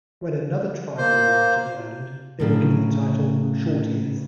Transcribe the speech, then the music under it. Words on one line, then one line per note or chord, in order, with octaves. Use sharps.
When another tribe arrived to the Island, they were given the title 'Short Ears'.
A#3 C5
A2 C#3 F#3